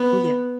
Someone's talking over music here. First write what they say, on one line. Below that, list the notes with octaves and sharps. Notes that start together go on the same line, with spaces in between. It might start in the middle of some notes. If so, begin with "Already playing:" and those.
Ooh, yeah.
Already playing: B3